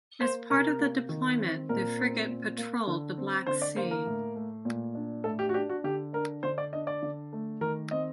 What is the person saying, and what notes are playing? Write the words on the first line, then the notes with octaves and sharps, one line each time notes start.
As part of the deployment, the frigate patrolled the Black Sea.
A#3 C5
C3 A#4
A#3
D#3
C4
A#2 A#4
C4
A#2
A#3
D3
C4
D3 C5
D5
A#3 C5
A#4
A2
A3
A#2
D4
A2 A4
G4
F#4
D4 G4
F#4
D3 G4
D4 A#4
D3 C5
D5
D4 D#5
D5
D3
A3
D#3 A#4
C4 D#5